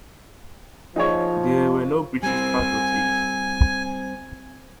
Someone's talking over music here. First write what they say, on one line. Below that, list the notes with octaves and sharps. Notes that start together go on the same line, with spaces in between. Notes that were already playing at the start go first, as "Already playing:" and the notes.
There were no British casualties.
F3 D#4 G#4 C#5
G3 C4 G#5